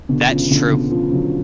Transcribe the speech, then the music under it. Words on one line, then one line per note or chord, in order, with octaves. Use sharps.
That's true.
B2 D3
C#3 F3
B2 D3
B2 D3
C#3 F3
D3 F#3